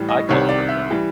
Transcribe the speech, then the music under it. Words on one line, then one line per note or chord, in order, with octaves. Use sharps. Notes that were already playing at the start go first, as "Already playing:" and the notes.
I call for a vote.
Already playing: A2 E3 G3
D#5
C2 C3 D#3 C#5
D5
E5
E3 G3